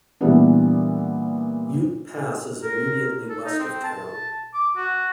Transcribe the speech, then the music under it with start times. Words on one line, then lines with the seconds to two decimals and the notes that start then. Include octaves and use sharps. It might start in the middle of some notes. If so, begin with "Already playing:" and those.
Ute Pass is immediately west of town.
0.21 A#2 E3 G3 B3 D4
2.62 A#4
3.29 A4
3.45 D#4
3.60 C4
3.84 A5
4.54 D6
4.76 F#4